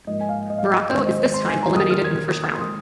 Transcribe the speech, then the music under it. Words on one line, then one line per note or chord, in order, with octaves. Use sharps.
Morocco is this time eliminated in the first round.
G#2 F3 A#3 D#5
G#5
F5
D#5
F5
D#5
D#2 D#3 G#3 C5
D#5
C5
C6
G#5
A#5
D#2 D#3 A#3 D#6
F6
G#6
C6
D#3 G#3 D#6